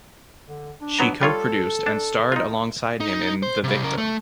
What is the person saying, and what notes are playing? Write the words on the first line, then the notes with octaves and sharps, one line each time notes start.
She co-produced and starred alongside him in The Victim.
D3
D4
F#3 B3 A#5
G3 F4 A4 C#5
D4 A5
D#4 F4
D#4
C5
C3 G3
C#3 A#4
A3